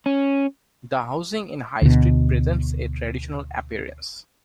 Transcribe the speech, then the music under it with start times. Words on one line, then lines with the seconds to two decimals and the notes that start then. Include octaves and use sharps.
The housing in High Street presents a traditional appearance.
0.06 C#4
1.82 D2 B2